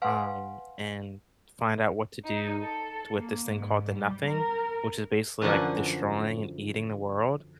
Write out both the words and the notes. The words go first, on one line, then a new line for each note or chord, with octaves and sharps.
um, and find out what to do t with this thing called the Nothing, which is basically, like, destroying and eating the world.
B4 F5 F#5 G#5 C6
D#4
A4
A#3
G#2
G3
A#4
F#2 D3 E3 F3 F#5 G#5